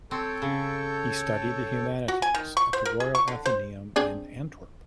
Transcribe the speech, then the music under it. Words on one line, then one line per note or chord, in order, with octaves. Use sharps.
He studied the humanities at the Royal Atheneum in Antwerp.
C4 A4 C#5 G5
C#3
F#4
G#5
D#3
C#6
C5
A#4
G#4
C#6
D3
C5
C4 D4 G#4